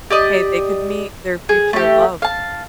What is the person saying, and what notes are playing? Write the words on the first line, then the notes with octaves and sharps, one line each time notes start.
Hey, they could meet their future love
G4 D5 D#5
G#4
A3 G4
F5 A5